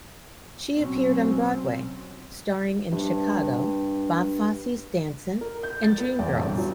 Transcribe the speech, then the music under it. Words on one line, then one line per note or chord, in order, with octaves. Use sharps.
She appeared on Broadway, starring in "Chicago", Bob Fosse's "Dancin", and "Dreamgirls".
B2 F#3 C4 C#4
G2 E5
A#4
G6
A6
B4
E2
G1
F#3